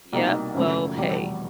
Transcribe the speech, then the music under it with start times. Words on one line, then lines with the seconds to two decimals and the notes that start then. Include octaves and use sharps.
Yup, well hey,
0.13 C2 B2 G3 A#3 D#4
0.55 G#1 F#2 C#3 F3 A3
0.97 F1 E2 B2 G3